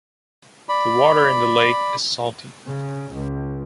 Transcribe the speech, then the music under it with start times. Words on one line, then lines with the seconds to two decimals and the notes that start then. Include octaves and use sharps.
The water in the lake is salty.
0.69 D5 B5
2.66 C#3
3.14 C#2